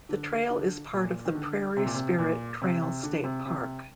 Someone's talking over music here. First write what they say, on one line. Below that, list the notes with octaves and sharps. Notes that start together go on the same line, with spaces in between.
The trail is part of the Prairie Spirit Trail State Park.
D3
D3
A#2
D#3
D3
C3
A#2
C3
A#2
C3
C3
D3
C3
C3